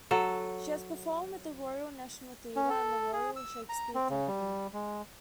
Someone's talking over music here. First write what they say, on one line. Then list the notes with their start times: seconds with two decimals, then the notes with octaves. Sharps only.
She has performed with the Royal National Theatre and the Royal Shakespeare Company.
0.11 F#3 A4
2.56 C#4
2.70 A4
3.13 G#4
3.36 E6
3.69 A#5
3.95 C4
4.10 C#3
4.28 G3
4.73 G#3